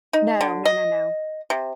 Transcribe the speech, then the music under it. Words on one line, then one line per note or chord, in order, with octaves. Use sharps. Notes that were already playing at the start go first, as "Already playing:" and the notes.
No. No, no, no.
D#4
D3
D#5
C3